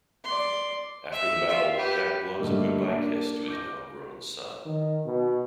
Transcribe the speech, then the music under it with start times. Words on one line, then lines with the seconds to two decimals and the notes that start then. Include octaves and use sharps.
After the battle, Jack blows a goodbye kiss to his now grown son.
0.25 D5 C6
1.13 E5
1.47 F4 E5
1.77 G4 B4
2.38 G2 D3 G3 A3 A#3 D#4
2.84 A#3 D4
3.48 D6 G6 A#6
4.65 D#3
5.06 B2